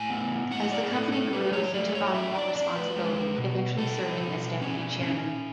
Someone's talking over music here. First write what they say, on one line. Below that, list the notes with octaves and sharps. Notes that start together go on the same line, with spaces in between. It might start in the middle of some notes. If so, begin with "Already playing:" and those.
As the company grew he took on more responsibility, eventually serving as deputy chairman.
Already playing: A2 G#5
B3
A2 F#5
D5
G#4
A2 A4
A4
F#3 B4
C#5
A3 D5
C#5
C#4 E5
D5
C#4 D5
B4
G#3
B2
B2 A4
B2
C#4
C#4